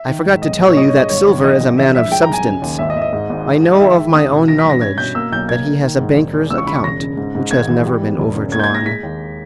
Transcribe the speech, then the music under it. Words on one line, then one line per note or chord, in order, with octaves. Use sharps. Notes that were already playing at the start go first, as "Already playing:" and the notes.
I forgot to tell you that Silver is a man of substance; I know of my own knowledge that he has a banker's account, which has never been overdrawn.
Already playing: E5
D#3
G#2
B1 D#5
A#2
C#5
G2 D#5
C#5
G#3
D#5
G1 C#5
D#3
A#1 D#5
A#1
E3 E5
G2 E5
G#3 G5
A#5
B1 G#5
C#3
D#2
G#1 E5
D#5
G#1 E5
D#5
G#2
G#1
G#3
G#3
D#5
D#3 E5
D#3
C#2 D#6
B2
E3 A#6
B6
G2 A#6
C#4 G#6
B2 G6
A#3 E6
B1 G6
A#3 G#6
A#3
D#3
G#2
E1
E2
C#2 E6
C#6
C#3 B5
C#6
E1 A#6
C#3
G#2
G#2
G#1 G#6
E3
G3
B3
E1
C#3
A#3 G#6
G6
G#6
A#3 A#6
G#3 B6
D#2